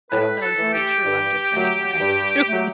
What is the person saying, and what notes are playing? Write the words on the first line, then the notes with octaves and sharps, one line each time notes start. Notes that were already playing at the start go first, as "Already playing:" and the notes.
I don't know this to be true, I'm just saying what I assume,
A2 B4
A4
E3 A3
G4
G2
F#3 A3
G2
F#3 A3